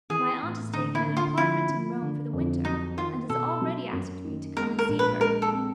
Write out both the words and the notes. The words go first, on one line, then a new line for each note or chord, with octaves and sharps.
"My aunt has taken an apartment in Rome for the winter and has already asked me to come and see her."
E3 G#4
A2
D3 D#4
E4
D3
F4
F3 E4
F3
D3
F2
F#3 D#4
D#3 F4
B2 A4
F#3
F#2
D#3
G#3 A#4
A#4
A#1
B4
G#3 A#4
A4
C4